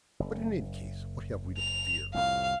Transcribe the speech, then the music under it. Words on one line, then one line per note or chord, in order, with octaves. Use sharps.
But in any case what have we to fear?
F#1
F7
C2 F2 A2 F5